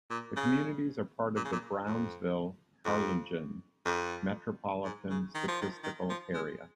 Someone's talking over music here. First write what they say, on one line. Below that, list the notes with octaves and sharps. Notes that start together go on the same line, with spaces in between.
The communities are part of the Brownsville-Harlingen Metropolitan Statistical Area.
A#2
C#3
A#2
C#3
A#2
F2
F2
F2
G#2
C#3
D#3
F3
D#3
D#3
F3
G#3